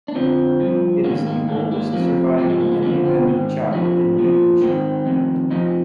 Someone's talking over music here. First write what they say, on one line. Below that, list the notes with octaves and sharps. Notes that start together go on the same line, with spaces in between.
It is the oldest surviving Independent chapel in Lincolnshire.
D4
F2 D3 F3 C4
G2 F3
G#2 D#3 A#3
A#3
G#2 D#3 A#3
A#3
F2 C3 F3 A#3
G#2 F3 C4
G#3
A#3
G#3
F2 D3 F3 A#3
C4
G#2 D#3
F2 C3 F3 D4
A#2 F3
G#2 D#3 C4
F2 C3 D#3
F2 C3 F3 D#4